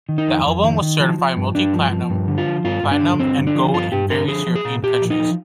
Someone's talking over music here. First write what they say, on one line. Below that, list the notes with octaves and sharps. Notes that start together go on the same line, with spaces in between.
The album was certified Multi-Platinum, Platinum and Gold in various European countries.
D#3
D#4
F2
F2
D#3
D#3
F3
F3
G2
G2 D4
F3
F3
G2
D3
F4
F3
G2 F4
G2
D4
D3
G2 C4
D3
D4
F3
G2 F4
G2 G4
D3 A#4
F3 G#4
F3
G#4
A#2
A#2 G4
F3
D#4
F3